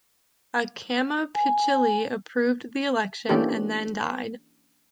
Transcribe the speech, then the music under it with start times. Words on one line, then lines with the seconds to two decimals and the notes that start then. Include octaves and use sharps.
Acamapichtili approved the election, and then died.
1.35 G#5
3.29 E3 A#3 C#4 D4 G4 A4